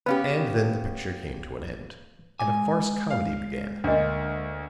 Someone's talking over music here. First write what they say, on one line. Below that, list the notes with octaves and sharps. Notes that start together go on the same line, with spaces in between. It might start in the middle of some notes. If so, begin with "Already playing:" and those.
And then the picture came to an end, and a farce-comedy began.
B3 C#4 G4 B4 F5
G#3 G#5 D6
F5
D2 A#3 D4 F#4 D#5